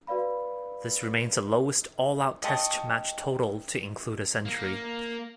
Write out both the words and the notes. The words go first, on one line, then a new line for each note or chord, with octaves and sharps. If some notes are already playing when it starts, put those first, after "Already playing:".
This remains the lowest all-out Test match total to include a century.
F#4 B4 D5 F5 B5
D#5 G5 A5 C#6 D#6
A#3